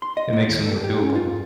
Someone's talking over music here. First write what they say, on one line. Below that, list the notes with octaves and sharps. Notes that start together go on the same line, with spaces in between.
It makes it more doable.
C6
D#5
A#3
D#2
A4
G4
C#4
F4